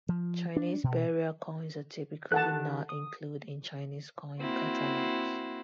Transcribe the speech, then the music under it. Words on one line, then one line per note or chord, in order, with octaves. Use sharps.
Chinese burial coins are typically not included in Chinese coin catalogues.
F3
D4
B2
D#3 G4 A4 F#5 A5 F#6
D#6
A#3 C4 E4 F#4